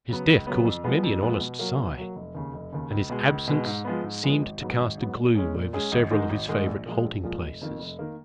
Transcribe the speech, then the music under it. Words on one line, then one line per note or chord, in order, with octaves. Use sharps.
His death caused many an honest sigh, and his absence seemed to cast a gloom over several of his favorite halting-places.
C#3 F#3 B3
C#2
C#3 F#3 B3
F2
F3 G#3 B3
F2
F3 G#3 B3
B2
F#3 A#3
B2
F#3 A#3
F1
D#2 C#3
F1
D#2 C#3
C#2
B2 G#3
C#2
B2 G#3
G#2
F3 G#3 B3
G#2
F3 G#3 B3
G#1
G#2 F#3 B3
G#1
G#2 F#3 B3
A#2
G#3 C#4 G#4
A#2
G#3 C#4 G#4
G#1
G#2 D#3 G#3 D#4
G#1
G#2 D#3 G#3 D#4
A#1
A#2 F3 G#3
A#1
A#2 F3 G#3
F1
F2 D#3 A#3
F1
D#3 A#3